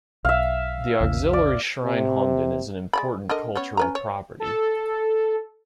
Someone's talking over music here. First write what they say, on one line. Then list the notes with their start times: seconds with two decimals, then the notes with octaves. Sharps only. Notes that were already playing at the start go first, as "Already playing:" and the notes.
The auxiliary shrine honden is an Important Cultural Property.
0.25 B1 E5 F5
1.00 A#1 E2 C#3
1.33 D5
1.84 C3
2.93 G#3 D5 B5
3.29 D3 A#4 D#5
3.55 B3 C#4 C#5
3.77 C#4 B4 A#5
3.95 C#5
4.40 A4